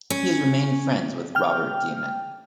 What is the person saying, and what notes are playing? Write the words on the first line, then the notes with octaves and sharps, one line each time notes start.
He has remained friends with Robert Diament.
C#4
G5 F6